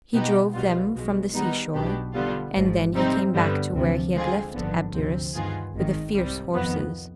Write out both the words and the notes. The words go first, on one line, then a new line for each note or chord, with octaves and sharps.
He drove them from the seashore, and then he came back to where he had left Abderus with the fierce horses.
B2 B3 D#4 G4
B1 B2 G3 B3 F4
B1 B2 G#3
D#3 G3 B3 D#4
B1 B2 B3 D4 G4
D3 G3 B3 F4
G#1 G#2 F3
C3 G3 C4 D#4
G2 D3 G3 B3
D2 C3 F3
D3 G#3 C4 F4 G#4
G#1 G2 D3 F3 B3
D2 C3 F3 C4
G2 D#3 B3 F4 G#4
G#1 G#2 D#3
C2 C3 G3
F2 D#3 B3